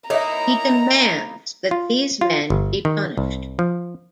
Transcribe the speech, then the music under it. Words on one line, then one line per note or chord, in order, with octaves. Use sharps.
He demands that these men be punished.
A#3 D#4 E4 C#5 E5 A#5
F4
F4
G1
D#3
C2
F3